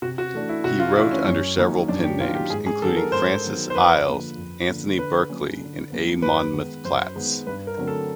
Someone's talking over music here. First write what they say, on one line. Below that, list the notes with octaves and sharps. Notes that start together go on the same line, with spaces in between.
He wrote under several pen-names, including Francis Iles, Anthony Berkeley and A. Monmouth Platts.
C3 F#4
F#4
E3 A3 D4
E4
C3 F#4
F4
E3 A3 D4 E4
C#4
F#2 C#4
D#3 F#3 A#3 D#4
F#2 D4
G4
D#3 F#3 A#3 D#4 F4
G4
G#2 G#4
G#4
D#3 F#3 B3 A4
A#4
G#2 C5
D#3 F#3 B3
C5
F2 B4
D3 F3 A#3
F2
D3 F3 A#3
D3 B4
F#3 A#3 C#4
D3
F#3 A#3 C#4
F#2 B4
D#3 G#3 B3 D#4
F#2 C5
D#3 G#3 B3 D#4
G2 B4
A#4
D3 F#3 A3 C4
A4